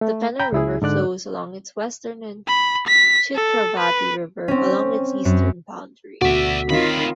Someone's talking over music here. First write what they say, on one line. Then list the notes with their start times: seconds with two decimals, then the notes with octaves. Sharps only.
The Penner River flows along its western and Chitravati river along its eastern boundary.
0.01 A3
0.39 G5 A#5 B5 G6
0.52 C#2 E4 G#4
0.82 G#2 D3 D5 F#6
2.47 B5
2.87 B6
3.35 A4
3.79 B4
4.48 C4 C#4
5.25 F#2
6.22 D2 B2 A3 F#4 D5 E5 B6
6.70 D2 D#3 C4 F4 C#5 F5 B5